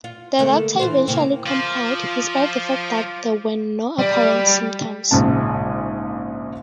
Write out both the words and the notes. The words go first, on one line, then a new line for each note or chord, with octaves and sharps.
The doctor eventually complied, despite the fact that there were no apparent symptoms.
F4
D3 A3 A#3
E3 F4 C5
C#3 A#3 C4
F3 F4 D6
G3
A#1 G#2 C#3 A5